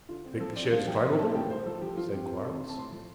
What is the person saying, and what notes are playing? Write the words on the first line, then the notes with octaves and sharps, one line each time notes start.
"I think the shed is climbable," said Quarles.
D3 F4
C4
C5
F3 A4
C4 D5
F3 F5
F3 G5
C4 C6
A3 A5
A5
A2 G5
A2 C5
F3 A4
F3 G4
F3 F4
F4
C4 G4
C4
C4 A4
C4 C6
A5
A2 C6
F3